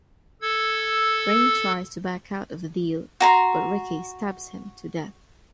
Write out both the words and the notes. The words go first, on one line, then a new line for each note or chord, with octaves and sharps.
Reign tries to back out of the deal but Ricky stabs him to death.
A4 E6 G#6
F#4 A#5 C6